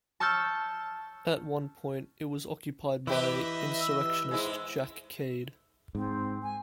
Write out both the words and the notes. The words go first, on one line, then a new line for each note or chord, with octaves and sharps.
At one point it was occupied by insurrectionist Jack Cade.
A5 C#6 E6 F6 G6 A6
E3 E4 G4 B4 D#5 E5
E6
G#2 G#3 E4
G#2 C4
G#5